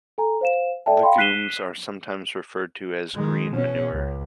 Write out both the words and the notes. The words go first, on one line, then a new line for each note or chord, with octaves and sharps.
Legumes are sometimes referred to as "green manure".
A4 G#5 A#5
C5 F5 E7
A4 D5 E5 G5 A5
F5 G5 B5 C6
F#6 B6 C7 D#7 E7 G7
D#3 G#3
B2 C#4
C#2